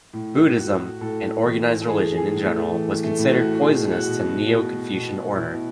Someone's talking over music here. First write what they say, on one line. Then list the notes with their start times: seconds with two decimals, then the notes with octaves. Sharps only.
Buddhism, and organized religion in general was considered poisonous to the neo-Confucian order.
0.13 A2
0.56 A2 F#4
1.01 A2 A4
1.44 E3
1.82 A4
1.88 E3 G#4
2.17 G#4
2.31 A2
2.45 A3
2.75 E3
3.04 A3
3.19 A2
3.33 F#4
3.54 F#4
3.61 B2 G#4
3.91 F#4
4.05 B2
4.20 F#4
4.49 B2
4.92 B2
5.35 B2 E4